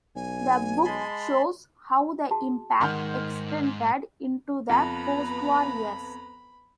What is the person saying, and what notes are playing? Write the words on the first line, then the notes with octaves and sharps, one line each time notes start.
The book shows how the impact extended into the postwar years.
B1 G#5
G#3 A5 B5 C6
F#4 G#4 A5
G#2 D#3 F#5 C6 F6 G6
F2 B3 B4 A#5 B5